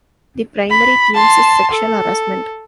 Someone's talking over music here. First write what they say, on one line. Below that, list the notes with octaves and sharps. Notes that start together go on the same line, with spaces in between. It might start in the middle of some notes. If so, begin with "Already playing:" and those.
The primary theme is sexual harassment.
B5
A5 C6
A4